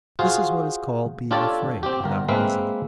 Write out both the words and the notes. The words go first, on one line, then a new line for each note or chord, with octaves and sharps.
This is what is called being afraid without reason.
F4 F#4 G#4 C5 F5
D4 F4 G4 A4 C#5 D5
C4 G4
G1 A#4
G#3 A#3 C4 B4 E5 F5